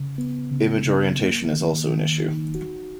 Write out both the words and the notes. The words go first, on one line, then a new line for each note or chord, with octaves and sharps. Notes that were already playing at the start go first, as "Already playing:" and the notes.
Image orientation is also an issue.
Already playing: C#3
B3
C#3
C#3
A#3
D#3
D#3
D#4
F#4